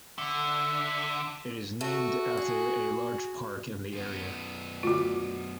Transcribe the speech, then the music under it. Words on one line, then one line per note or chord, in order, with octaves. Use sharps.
It is named after a large park in the area.
D3 E5
A3 F#4
G#4
F#2 B3
D2 F4 D6